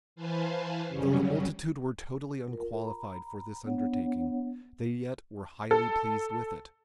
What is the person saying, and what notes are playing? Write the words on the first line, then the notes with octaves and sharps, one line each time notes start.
Though the multitude were totally unqualified for this undertaking, they yet were highly pleased with it.
E3 B4 C5 F5 G#5 A5
F#2 C#3 F#3 G3 C#4
F4 A#4
A#5 B5
B3 D4 C#5 F#5
A4